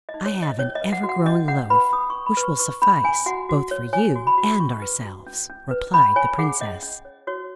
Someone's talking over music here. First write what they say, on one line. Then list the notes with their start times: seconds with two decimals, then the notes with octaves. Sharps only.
"I have an ever-growing loaf, which will suffice both for you and ourselves," replied the princess.
0.09 D#5
0.14 D#4
0.26 C#5
0.37 C#5
0.42 D#5
0.59 C#4 C#5
0.75 D#5
0.81 B4
0.93 F#5
1.03 F#4
1.09 F#5
1.26 C#4 D#5
1.48 C#4 F#5
1.70 B4 B5
1.93 C#4 D#6
2.10 C#4 C#6
2.26 B5
2.37 B4
2.43 C#6
2.59 B4 C#6
2.82 C#4 B5
3.04 C#4 G#5
3.26 F#4 F#5
3.49 F#4
3.71 C#5
3.93 C#5 G#5
4.16 F#4
4.27 B5
4.38 F#4
4.60 C#4 C#6
4.82 B4
5.05 F#4
5.26 C#4
5.50 C#4
5.71 B4
5.94 C#4 B5
6.16 C#5 G#5
6.38 G#4 F#5
6.60 C#4 D#5
6.83 C#4
7.05 C#5
7.27 F#4 C#5